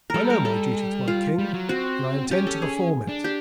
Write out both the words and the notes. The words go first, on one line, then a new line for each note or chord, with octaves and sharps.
I know my duty to my King, and I intend to perform it.
G3 A4 A#4
A#4
A4
F4
G3
F#3
C4 F#4
C#4 G4
A4
G#4
D4
G4